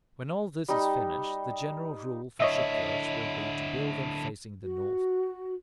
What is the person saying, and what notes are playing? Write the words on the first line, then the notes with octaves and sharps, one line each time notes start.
When all this is finished, the general rule for shipyards will be to build them facing the north.
G3 D#4
D3 E4 C#5 D#5 E5
F#4